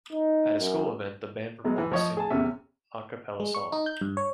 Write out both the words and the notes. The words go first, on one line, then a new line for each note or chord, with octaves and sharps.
At a school event, the band performed a single a cappella song.
D#4
F#2
B2 F#3 G#3
E3
F3 C#5 D#5
G#4 A5
E2 C3 C#4 E5
G#3
C#6
D#4
G6
G2
C#5